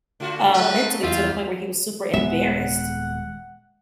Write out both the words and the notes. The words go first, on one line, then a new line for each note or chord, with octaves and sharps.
uh, mentally to the point where he was super embarrassed.
D3 A3 F4 F#4
G#2 G#3 A3 B4
E2 G3 F4 E5 F5
D#1 G#3 B3 E5 F#5